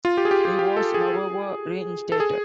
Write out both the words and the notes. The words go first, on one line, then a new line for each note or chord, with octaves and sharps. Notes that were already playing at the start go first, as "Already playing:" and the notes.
He was, however, reinstated.
F4
G4
G#4
G4
G4
G4
A4
G#4
A4
G#4